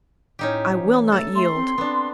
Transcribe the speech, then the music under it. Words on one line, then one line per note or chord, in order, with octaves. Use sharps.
I will not yield.
A2 C#4 D#4 G4
E3
A3 A4
A3 C6
C4
B3 C4 D4